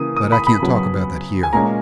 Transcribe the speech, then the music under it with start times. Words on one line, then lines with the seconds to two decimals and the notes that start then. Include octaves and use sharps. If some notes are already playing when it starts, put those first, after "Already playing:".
But I can't talk about that here.
Already playing: C#3 E3 A#3 D#6
0.16 D#6
0.32 B5
0.47 B5
0.62 C#3 F#3 B3
1.43 G#5
1.53 A#2 G#3 C#4 A#5